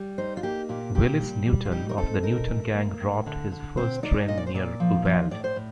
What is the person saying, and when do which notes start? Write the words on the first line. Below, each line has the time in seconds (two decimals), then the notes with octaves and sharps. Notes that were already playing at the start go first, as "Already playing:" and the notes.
Willis Newton of The Newton Gang robbed his first train near Uvalde.
Already playing: G3
0.18 D#4 C5
0.37 F4
0.43 A#3 G4
0.69 A#2 G4
0.95 A#2 G4
1.21 G3
1.46 G3
1.65 F4
1.72 D#4 G4
1.89 A#4
1.97 C4 A4
2.23 D#4 A#4
2.48 A3
2.75 A#3
3.00 A2
3.26 D3
3.52 D3
3.77 C4 C5
4.03 D#4 D5
4.28 A#2 D#5
4.38 D5
4.47 C5
4.54 A#2 D5
4.80 F3
5.05 F3
5.31 A2 D5
5.44 C5
5.56 A2